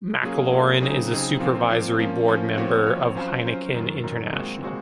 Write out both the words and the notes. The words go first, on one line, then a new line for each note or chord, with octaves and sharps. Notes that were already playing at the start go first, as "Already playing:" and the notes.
MacLaurin is a supervisory board member of Heineken International.
F#3 A#3 C#4 F4 G#4
F#3 A#3 C#4 F4 G#4
C#3 F#3 C4 D#4 G#4
C#3 F#3 C4 D#4 G#4
A#2 F3 C4 F4
A#2 F3 C4 F4
F3 A#3 C#4
F3 A#3 C#4
A#2 F3 C4 F#4 C#5
A#2 F3 C4 F#4 C#5
F#3 C#4 F4 C5
F#3 C#4 F4 C5
F#2 D#3 F#3
F#2 D#3 F#3
A#2 G#3 C4 F#4
A#2 G#3 C4 F#4